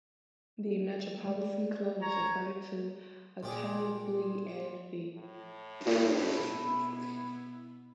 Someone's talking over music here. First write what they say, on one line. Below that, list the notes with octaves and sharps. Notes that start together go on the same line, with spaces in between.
The Metropolitan club was referred to alternately as the "Metropolitan," "Metropolitans" or the "Mets".
G#3 D5
C#5 A#5
A#2 G4 G#4
A2
B2 B3 E4